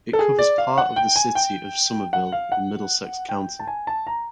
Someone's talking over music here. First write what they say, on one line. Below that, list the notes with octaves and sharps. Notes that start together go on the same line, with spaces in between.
It covers part of the city of Somerville in Middlesex County.
A4
G#4
D5
F5
F#5
G5
G#5
G5
F#5
F5
F#5
G5
A5
G#5
A5
A#5